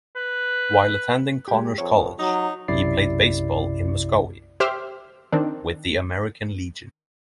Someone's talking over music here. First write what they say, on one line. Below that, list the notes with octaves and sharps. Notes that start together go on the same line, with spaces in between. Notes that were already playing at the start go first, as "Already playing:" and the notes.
While attending Connors College, he played baseball in Muskogee with the American Legion.
B4
G#3 G4
F2 C#5
F#3 D#4
B1 F#2 C3 E4 D5 C7
G4 C5 E5 F6
D#3 C4 D4